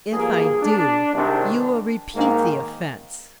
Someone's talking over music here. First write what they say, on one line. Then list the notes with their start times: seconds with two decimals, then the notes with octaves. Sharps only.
'If I do, you will repeat the offence.'
0.12 G2 F3 A#3 G#4
0.62 D4
1.13 C2 C3 D#3 G#3 C4 D4
2.14 G#2 D#3 A#3